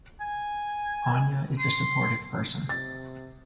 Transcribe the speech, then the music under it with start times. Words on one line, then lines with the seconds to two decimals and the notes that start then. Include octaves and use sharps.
Anja is a sportive person.
0.21 G#5
1.59 C6
2.69 C3 A6